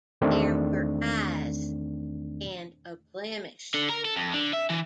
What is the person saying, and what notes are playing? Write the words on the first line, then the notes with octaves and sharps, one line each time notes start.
There were eyes - and a blemish.
E2 D#3 A3 C4 D4
D3
A#4
A4
F2
D3
E5
E3